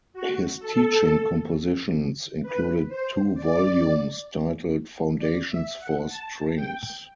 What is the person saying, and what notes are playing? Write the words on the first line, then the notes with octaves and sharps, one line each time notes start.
His teaching compositions included two volumes titled "Foundations for Strings".
F#4
A4
B4
C5
D5
D5
E5
F#5
A5
G5